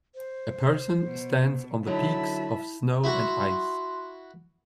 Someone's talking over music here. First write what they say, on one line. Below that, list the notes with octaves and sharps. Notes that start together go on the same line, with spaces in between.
A person stands on the peaks of snow and ice.
C5
B2
D3 F#3 D#4 E4 E5 A5 B5
E4 F#4 C6